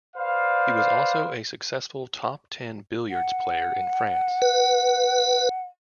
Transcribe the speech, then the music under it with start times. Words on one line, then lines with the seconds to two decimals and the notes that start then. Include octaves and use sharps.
He was also a successful top ten billiards player in France.
0.16 B4 C5 D5 F5
3.11 F#5
4.42 B4